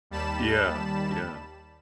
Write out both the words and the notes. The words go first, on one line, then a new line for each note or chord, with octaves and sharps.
Yeah. Yeah,
D#2 G3 A5 B5 E7